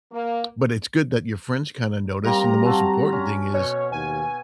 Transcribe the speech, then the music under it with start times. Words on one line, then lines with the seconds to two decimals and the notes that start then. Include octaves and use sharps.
But it's good that your friends kinda noticed, and the most important thing is
0.12 A#3
2.24 G3 A#3 C4 A#5
2.65 C4 F#4 A5
3.12 C#4
3.54 B2 C#5
3.92 D#2 G#5